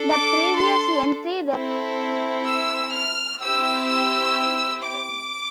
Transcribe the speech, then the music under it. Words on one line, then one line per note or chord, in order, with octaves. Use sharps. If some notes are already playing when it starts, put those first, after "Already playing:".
The previous entry referred to Youth allowance and Parenting Payment.
Already playing: D4 A4
D6
C6
C4 E4 A4
E6
F6
C4 E4 G4 E6
E6
D6